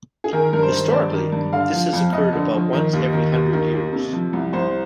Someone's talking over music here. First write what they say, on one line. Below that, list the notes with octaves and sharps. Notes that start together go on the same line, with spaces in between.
Historically this has occurred about once every hundred years.
G#4
D#3 A#4
G2 A#4
C5
D#3
G2 D5
D#3
G2
D3 F5
F3
F2
F2 D#5
D3
F3
D#3
D#2
D#3
D#2
D#3
D#2
C3
F3
C2
C2 C5